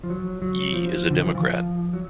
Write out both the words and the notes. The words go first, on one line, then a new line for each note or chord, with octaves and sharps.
Yee is a Democrat.
F3
F#3
F#3
F3
D3
D#3
E3
F3
F#3